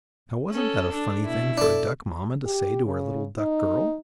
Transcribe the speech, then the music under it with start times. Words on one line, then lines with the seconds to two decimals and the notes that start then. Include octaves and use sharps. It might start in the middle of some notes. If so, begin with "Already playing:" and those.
Now wasn't that a funny thing for a duck mamma to say to her little duck girl?
0.51 C#4 A4
0.93 D4
1.25 B2 E4
1.58 D4 A4
2.46 G4
2.85 C#3
3.38 D#4